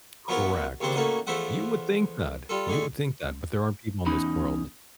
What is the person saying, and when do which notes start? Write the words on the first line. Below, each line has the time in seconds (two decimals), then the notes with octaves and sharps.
Correct. You would think that. You would think that, but there are people in this world
0.28 F3 F#3 B3 E4 A#4 C#5
0.80 D#2 A#2 C#3 C4 D4 C5
0.95 A2 A3 A#3 C#4 D#4 F#4
1.27 E2 F3 A3 C5 E5 F#5
2.49 G3 F4 A4
2.68 A2 D3 G#3 A3
4.06 E2 C#4 D#4 B5